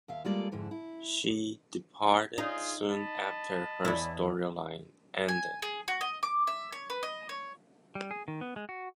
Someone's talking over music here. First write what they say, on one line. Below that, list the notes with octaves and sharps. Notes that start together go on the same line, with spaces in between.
She departed soon after her storyline ended.
D#2 E5 F5
G3 G#3 A#3 F4 A4 D5
F2 G#2 D3 E4
E4
D#4 F4 G#4
D#5 A5 B5
E2 E4
G#5
G#4
F#4
D#5
D6
E5
C#5
B4
D#5
C#5
G3
G#4
D#3
B3
G#3
F#4